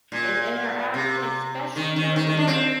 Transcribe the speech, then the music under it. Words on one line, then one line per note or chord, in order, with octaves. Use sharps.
and interact, and especially, you know, if there's like
A#2
C3
D#3
D#3
D#3
D#3
D4
C4